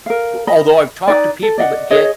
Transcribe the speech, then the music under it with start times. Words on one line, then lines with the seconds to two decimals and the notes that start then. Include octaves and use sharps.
although I've talked to people that get
0.06 A#4 F5
0.47 D#5 B5
1.08 D#4 B4 D5
1.43 A4
1.58 D5 D#5 F5 F#5
1.91 G#4 C#5 D#5